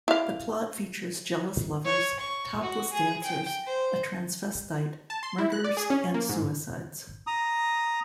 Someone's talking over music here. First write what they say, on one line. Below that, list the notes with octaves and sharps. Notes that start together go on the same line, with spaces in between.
The plot features jealous lovers, topless dancers, a transvestite, murders and suicides.
E4 F5
C#5
C#6
F#4
G#4
G5
C5
A5
C6
E4
F#6
D5
G#4
C#4
A#3
G#2
A#5 D#6